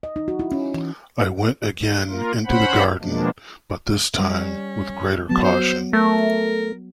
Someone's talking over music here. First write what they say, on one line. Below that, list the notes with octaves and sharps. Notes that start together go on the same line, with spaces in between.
I went again into the garden, but this time with greater caution.
D#5
D#4
F#4
E4
C#4
E3
A#3 F4 A#4
C#4 C5 F#5 B5
B2 F3 G#3 A#3 D4
G3 C#4
F#3 B3 A5
C5
A3 A#4